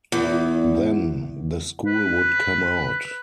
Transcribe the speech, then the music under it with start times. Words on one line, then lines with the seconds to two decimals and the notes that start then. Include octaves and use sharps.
Then the school would come out.
0.12 E2
1.86 B4